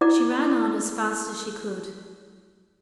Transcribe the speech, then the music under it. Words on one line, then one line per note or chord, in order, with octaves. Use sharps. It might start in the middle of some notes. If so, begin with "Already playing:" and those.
She ran on as fast as she could.
E4 D5 D6